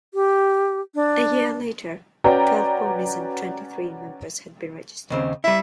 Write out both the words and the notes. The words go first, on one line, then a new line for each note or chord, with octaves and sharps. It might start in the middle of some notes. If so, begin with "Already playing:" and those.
A year later, twelve ponies and twenty-three members had been registered.
G4
D4
C#4 F#4 B4 D5 G5 A#5
D#2 C#3 C4
G3 E4 E5